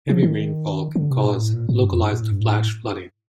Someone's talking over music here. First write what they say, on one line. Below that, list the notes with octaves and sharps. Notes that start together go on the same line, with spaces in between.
Heavy rainfall can cause localized flash flooding.
F3
D#3
D3
C3
A#2
A2
A#2
A2
G2
F2
G2
A#2
A2
G2
A2